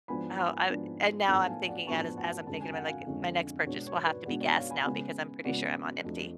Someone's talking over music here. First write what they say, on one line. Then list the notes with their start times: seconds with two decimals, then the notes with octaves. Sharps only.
Oh, I and now I'm thinking that is as I'm thinking about, like, my next purchase will have to be gas now because I'm pretty sure I'm on empty.
0.08 G#2 F3 B3 D4 G#5 B5
0.38 G#5 B5
0.69 G#2 F3 B3 D4
1.28 A2 F3 B3 D4 F#5 A5
1.42 A5
1.48 F5 G#5
1.68 D5 F#5
1.87 A2 F3 B3 D4 A5 C#6
2.18 F#5 A5
2.47 F2 D3 G#3 C#4 A5
2.61 G#5
2.73 F#5
2.87 F5 G#5
3.07 F2 D3 G#3 C#4
3.66 B2 G#3 B3 D4 C#5
3.87 C#5
4.06 B4 D5
4.26 B2 G#3 B3 D4 D5 F#5
4.40 D5 F#5
4.56 C#5 F5
4.70 G#5 B5
4.85 C#3 G#3 B3 G#5 B5
5.45 C#3 G#3 B3 D5 F#5
6.04 F2 F3 A3 D4